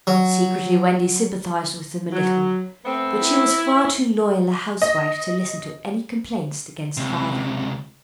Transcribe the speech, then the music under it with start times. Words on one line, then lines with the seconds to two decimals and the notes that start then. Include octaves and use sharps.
Secretly Wendy sympathised with them a little, but she was far too loyal a housewife to listen to any complaints against father.
0.07 F#3
2.12 F#3
2.85 A3 B3 C4
3.22 E4
4.82 D#5
6.97 C#2 C3